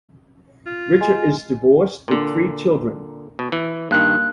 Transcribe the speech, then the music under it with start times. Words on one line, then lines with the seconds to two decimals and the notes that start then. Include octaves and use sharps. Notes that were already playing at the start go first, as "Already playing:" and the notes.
Richer is divorced with three children.
0.66 F4
1.01 G#3
2.08 A#2 D3
3.39 B2
3.52 E3
3.91 G2 D#3 A#3 F#6